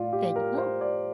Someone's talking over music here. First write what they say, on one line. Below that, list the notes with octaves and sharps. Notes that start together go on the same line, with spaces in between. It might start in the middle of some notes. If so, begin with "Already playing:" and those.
There you go.
Already playing: A2 F4 D5
G4
A#4
C5
D5